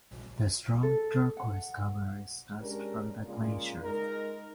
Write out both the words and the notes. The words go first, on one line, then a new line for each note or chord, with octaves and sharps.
The strong turquoise color is dust from the glacier.
A4
F#5
G#3 C#4 D4 G4 A#4
C#3 G#3 A#3 F4 A#4 D5
G#3 D#4 A#4